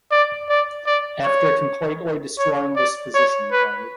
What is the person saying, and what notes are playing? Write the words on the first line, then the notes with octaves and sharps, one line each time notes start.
After completely destroying this position, Pvt.
D5
D5
D5
C#5
C#5
D5
C#5
B4